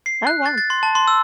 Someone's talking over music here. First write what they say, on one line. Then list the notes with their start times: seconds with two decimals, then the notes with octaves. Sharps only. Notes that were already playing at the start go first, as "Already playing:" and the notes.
Oh, wow.
0.06 C7
0.27 F#6
0.46 A6
0.58 A6
0.70 C6
0.83 A5
0.95 C6
1.08 E6